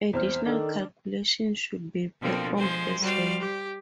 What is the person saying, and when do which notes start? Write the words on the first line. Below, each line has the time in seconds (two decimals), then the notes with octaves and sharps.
Additional calculations should be performed as well.
0.13 E2 C4 C5 F6
0.46 D#3 D4 A4
2.21 B2 D3 F3 A#3 C4
2.56 F3 G#3 C5
3.00 G3 F#4 C5 D5 F5
3.40 G4